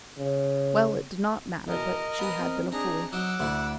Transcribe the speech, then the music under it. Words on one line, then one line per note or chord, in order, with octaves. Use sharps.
Well, it did not matter, but she had been a fool.
C#3
E2 B2 A#4 D#5
B3 B4 G#5
C4
D4 D#4 G#4 A#5
F#3 D#4 F#5 D6 E6
D2 E4 D5